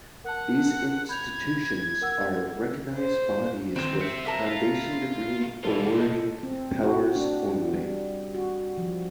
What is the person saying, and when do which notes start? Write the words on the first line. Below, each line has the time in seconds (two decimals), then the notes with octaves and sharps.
These institutions are recognised bodies with foundation degree awarding powers only.
0.24 A#4 F#5 A5
1.09 B5 G6 G#6 F7
2.02 A#4 F#5 E6
2.96 C5
3.76 D#3 E3 C4 G6
4.01 C5 E5 C#7
4.25 E4 A#4 A5
4.46 F4 B6
5.64 B2 E3 G3 F4 A4
5.99 A4 D#5
6.43 C4
6.83 F#4
7.15 D4
7.74 G3
8.35 F#4
8.78 F3